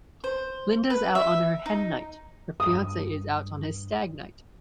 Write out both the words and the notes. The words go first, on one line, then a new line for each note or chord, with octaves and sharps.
Linda's out on her hen night, her fiance is out on his stag night.
C5
B4
E5
D#4
G2 D#6